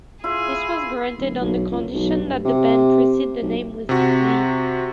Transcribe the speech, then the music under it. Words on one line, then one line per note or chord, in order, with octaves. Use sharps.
This was granted on the condition that the band precede the name with "The".
E4 F4 G#4
D1
B1
C#2
B1
G2
C3
B1
C3 F#4